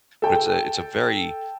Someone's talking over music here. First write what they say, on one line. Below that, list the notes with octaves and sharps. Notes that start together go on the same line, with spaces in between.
but it's a it's a very
A4 G5